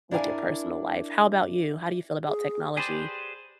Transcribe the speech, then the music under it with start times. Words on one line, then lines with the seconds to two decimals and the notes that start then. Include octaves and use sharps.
with your personal life. How about you? How do you feel about technology,
0.11 D4 E4 A#4 F5 F#5 G#5
2.28 G#4
2.76 G4 G#4 B4 C5 D5